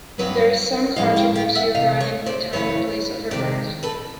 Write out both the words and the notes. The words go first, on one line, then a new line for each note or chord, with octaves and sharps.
There is some controversy regarding the time and place of her birth.
G2 D3 F#3 B3 B4 C#5
A2 F3 G#3 D#5 F5
F5 G5
F5 G5
E5 F#5
E2 C3 D#5 F5
C#5 D#5
C5 D5
F#2 C#3 E3 A3 B4 C#5
F2 C3 D#3 D5
A4 B4